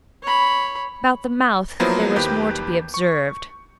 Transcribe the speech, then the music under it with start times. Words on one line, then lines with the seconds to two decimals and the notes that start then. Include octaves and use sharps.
About the mouth there was more to be observed.
0.23 C#5 B5
1.80 F3 F#3 A#3 B3 E4 C5
2.16 D#2 D#3 G4 B4 G6
2.94 C#6